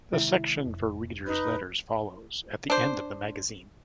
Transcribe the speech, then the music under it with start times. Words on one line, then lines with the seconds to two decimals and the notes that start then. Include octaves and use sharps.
The section for readers' letters follows, at the end of the magazine.
0.13 C3 D#3 G#3 E4 E5
0.66 F1
1.27 D#4 B4
2.70 D4 C5